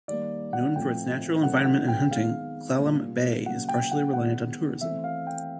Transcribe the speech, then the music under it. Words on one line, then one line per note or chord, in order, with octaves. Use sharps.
Known for its natural environment and hunting, Clallam Bay is partially reliant on tourism.
D#3 G3 A#3 D5
F#5
A2 F3 A3 C4 G5
D#3 F#3 A3 C4 F#5
F#5
G5
D#3 G#3 B3 F5
A#2 G3 A#3
C#3 F#3 A#3 F#5
G5
F#5
D#3 G#3 B3 F#5
E3 A3 C4 E5
F5
G5